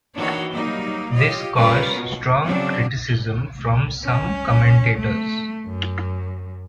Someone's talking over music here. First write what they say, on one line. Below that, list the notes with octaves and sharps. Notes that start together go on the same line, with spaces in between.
This caused strong criticism from some commentators.
D#3 E3 A#3 D4 F#4 C#5
F#3 G3 A#3 D#4
F4 G4 C#5 D#5
G3 C#4 F4 A#4 B4 F5
B2
C#3 F#3 C4 D4
C#4
A3
F#2